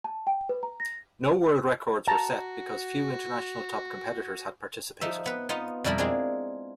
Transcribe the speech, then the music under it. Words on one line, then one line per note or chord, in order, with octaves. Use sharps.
No world records were set, because few international top competitors had participated.
A5
G5
B4
A#5
A#6
F#4 A5 A#5
F3 D#4 E5
B3 B4
B3 D#4 F4
F2 B2 G3 E4 A#4 B5
G#3 C4 D4 E4 F4 G#4